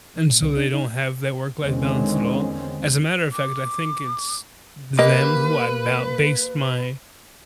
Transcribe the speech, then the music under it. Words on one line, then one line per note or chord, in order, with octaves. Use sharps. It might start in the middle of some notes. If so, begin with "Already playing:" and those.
and so they don't have that work-life balance at all. As a matter of fact, I think it's them who I mou base my
E3
A#2
C2
D4
D#4
E2 D3 D#3 G#3 C4 C#4
D6
A#3 G4 B4 D#5